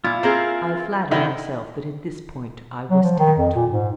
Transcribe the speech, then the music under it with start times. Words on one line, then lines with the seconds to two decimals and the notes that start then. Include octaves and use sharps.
I flatter myself that at this point I was tactful.
0.04 A#2 E4 F4 F5
0.23 A#3 C4 G#4 A#4 C5
1.11 D3 D#3 D#4 E4
2.91 F#3
3.03 F3
3.19 D#3
3.39 F2
3.56 A#2
3.70 G#2